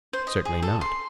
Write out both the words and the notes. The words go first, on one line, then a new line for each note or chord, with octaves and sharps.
Certainly not.
C5
D#5
G#4
A4
C6